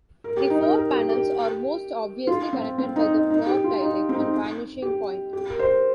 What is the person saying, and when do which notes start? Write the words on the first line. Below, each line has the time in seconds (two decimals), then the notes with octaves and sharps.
The four panels are most obviously connected by the floor tiling and vanishing point.
0.24 A#4
0.37 G4
0.50 D#4
0.63 A#4
0.75 A#4
0.93 G4
1.09 G4
2.27 F4
2.53 C4
2.78 C4
2.96 D#4
3.13 D#4
3.30 D#4
3.47 G4
3.64 F4
3.81 D#4
4.09 C4
4.15 D#4
4.82 G4
5.33 G4
5.50 A#4
5.59 C5